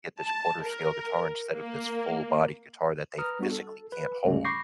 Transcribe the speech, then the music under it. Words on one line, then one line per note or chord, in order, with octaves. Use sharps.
get this quarter scale guitar instead of this full body guitar that they physically can't hold.
A5
A#4
A#3
B4 A#5 D#6 F6
G3 B3 D4 F#4
A4
B4
D2 G#2 C#3 G3 C#4
B5 C#6 D6 G6 A#6 C7